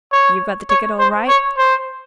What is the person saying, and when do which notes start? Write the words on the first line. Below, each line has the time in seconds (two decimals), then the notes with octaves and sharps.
"You've got the ticket all right?"
0.12 C#5
0.70 C#5
0.99 C5
1.29 C#5
1.57 C5